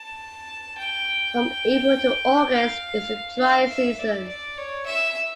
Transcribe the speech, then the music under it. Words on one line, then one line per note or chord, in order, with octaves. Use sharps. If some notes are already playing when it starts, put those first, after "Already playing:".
From April to August is the dry season.
Already playing: A5
G5
F5
F5
E5
D5
D5
C#5
E5